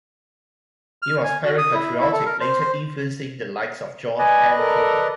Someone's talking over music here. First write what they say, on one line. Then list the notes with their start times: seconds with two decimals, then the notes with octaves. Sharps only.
He was very patriotic, later influencing the likes of George M. Cohan.
1.02 F6
1.24 G#5
1.44 F#4
1.58 D#6
1.74 E4
2.00 E4
2.12 A4
2.26 A#4
2.40 C5
2.60 C5
4.19 B4 D5 D#5 G#5
4.59 A4 A#4